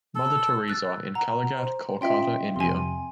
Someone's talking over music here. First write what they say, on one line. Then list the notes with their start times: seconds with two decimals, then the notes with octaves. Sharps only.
Mother Teresa in Kalighat, Kolkata, India.
0.15 A4
0.68 E6 F#6 A6
1.15 F#5 A#5
1.57 C5
2.01 C#4 F4 D#5 E5 G5 C6
2.56 F2 C3 G#5 C6